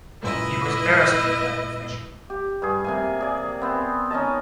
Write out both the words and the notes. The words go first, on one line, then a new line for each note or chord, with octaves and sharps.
He was Barrister by profession.
F#2 A#2 G#3 E4 B4 D#5
G4
G2 G#4
C3 A#3 G#5
G#4 D5
B3 C4
C#4 D#4 D#5 A5